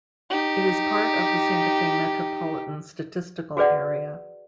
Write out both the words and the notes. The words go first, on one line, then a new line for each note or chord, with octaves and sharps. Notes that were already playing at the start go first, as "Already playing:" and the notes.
It is part of the Santa Fe Metropolitan Statistical Area.
D#4 G4
F#4 G#4 B4 D5 F#5